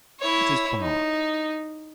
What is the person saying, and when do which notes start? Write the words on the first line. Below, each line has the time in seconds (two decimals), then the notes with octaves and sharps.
What is Bark?
0.20 E4 C#5
0.80 D#4